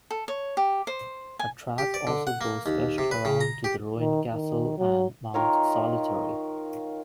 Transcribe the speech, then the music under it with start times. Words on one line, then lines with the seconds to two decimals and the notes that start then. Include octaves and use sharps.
A track also goes west around to the Ruined Castle and Mount Solitary.
0.11 A4
0.28 C#5
0.57 G4
0.87 C5
1.39 G#5
1.78 G4
1.94 D5
2.07 D3
2.27 F#5
2.41 A#3
2.66 D#2
2.98 C3
3.11 B4
3.25 C#3
3.41 A#5
3.64 G4
3.99 D#3
4.34 D#3
4.78 F#3
5.34 D#3 F4 A#4 C#5